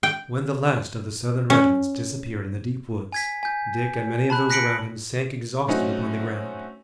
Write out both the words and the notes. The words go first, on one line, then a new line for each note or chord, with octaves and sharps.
When the last of the Southern regiments disappeared in the deep woods, Dick and many of those around him sank exhausted upon the ground.
G5
C#4
G#5 G#6 B6
G#5 G6
A5 B5 F#6
F#6 A#6 B6 C#7 D7 F#7
F#3 A3 C4 C#4 D#4 F#4